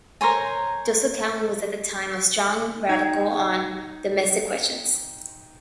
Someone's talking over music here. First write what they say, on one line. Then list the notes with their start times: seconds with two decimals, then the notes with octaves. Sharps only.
Joseph Cowen was at that time a strong Radical on domestic questions.
0.21 A#4 C5 C#5 G#5
2.89 D#4 G5 G#6